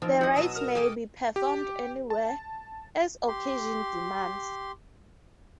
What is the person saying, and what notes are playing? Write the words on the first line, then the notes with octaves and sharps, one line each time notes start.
The rites may be performed anywhere, as occasion demands.
D#3 F3 C4
E4 F#4 D#5
B2 F#3 D#6 E6 E7
A#4 F6
G4 A4 G#5 D#6
G4
A5
G4 C6